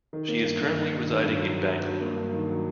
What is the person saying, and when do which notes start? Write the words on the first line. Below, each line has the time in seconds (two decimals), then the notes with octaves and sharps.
She is currently residing in Bangalore.
0.13 D#3
0.28 A#3
0.44 G2
0.60 G2
0.75 D#3
0.91 D#3
1.07 D#3
1.22 G2
1.38 F#3
1.54 F#3
1.70 F#3
1.85 F#3
2.01 A#3
2.17 G2
2.33 D#3
2.48 F#3